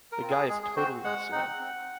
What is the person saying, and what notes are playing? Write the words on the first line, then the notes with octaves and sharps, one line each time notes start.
The guy is totally insane.
A#4
C4 F4
G#4
G#3 G#4
G#4
C4 F#4 C5
G#3 F#5
C4 D#4 F#5
C4